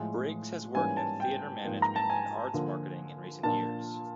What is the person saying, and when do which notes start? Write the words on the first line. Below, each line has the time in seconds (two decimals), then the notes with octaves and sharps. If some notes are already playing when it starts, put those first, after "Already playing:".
Briggs has worked in theatre management and arts marketing in recent years.
Already playing: A2 F3 G#3
0.74 G#2 E3 G3 A#3 C#4 G#5
0.97 A5
1.20 G5
1.64 G#2 F3 A#3
1.82 A#5
1.96 A5
2.10 G#5
2.54 D3 F3 A#3
3.43 A#2 F3 A#3 D4 F4 A5